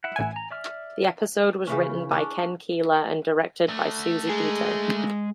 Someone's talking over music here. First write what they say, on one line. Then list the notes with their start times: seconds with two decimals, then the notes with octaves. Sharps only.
The episode was written by Ken Keeler and directed by Susie Dietter.
0.04 E4 E5 F#5
0.16 A1 G#5
0.36 A#5
0.51 D5 E5 F6
1.67 C#3 E3 C#4
2.11 C#4 D4
3.69 A3 D4
4.29 G#3 G#4